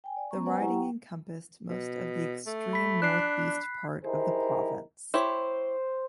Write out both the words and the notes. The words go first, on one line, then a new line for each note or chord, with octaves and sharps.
The riding encompassed most of the extreme north east part of the province.
G5 G#5
D5
G#3 B3 C#4 A#5 C#6
B4 C5 D5 F#5 G#5
F#3 E4 G4 F#5 A#5 C#6
G5
B2
A3
B5 B6
D4 F#6 C7
D#4 E4 G4 G#4 A#4 C5
E4 G4 C5 C#5